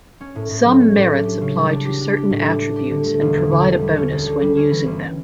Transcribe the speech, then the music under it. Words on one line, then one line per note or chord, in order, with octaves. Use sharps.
Some Merits apply to certain Attributes and provide a bonus when using them.
C#4
A2
A2
F#3
C#4
A2
D4
G4
C#3
G3
D4
G4
D4
G4
A2
G3
D4
G4
D3
A3
E1
E2
D3
A3
G3
C#4
D2
D3
G3
C#4
E3
G1